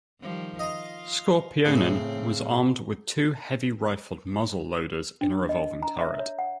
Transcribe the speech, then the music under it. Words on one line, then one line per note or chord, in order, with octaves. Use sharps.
"Skorpionen" was armed with two heavy rifled muzzle-loaders in a revolving turret.
D#3 F3 G3
F4 D#5 A#5
A2 C#3 C4
D4
D#5
A#5
E5
C#5
F#5